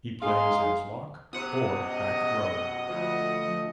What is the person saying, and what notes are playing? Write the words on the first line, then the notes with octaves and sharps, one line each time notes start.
He plays as lock or back row.
G#3 D#4 G#4 F5 C6
B2 C5 F#5 D#6
D#5
D2 F3 D#5